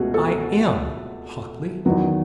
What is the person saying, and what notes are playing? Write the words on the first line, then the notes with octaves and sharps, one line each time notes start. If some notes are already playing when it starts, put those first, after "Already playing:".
"I am!" hotly.
Already playing: C#2 B2 A3 C#4 F#4 G#4
A4
E2 D#3 F#3 B3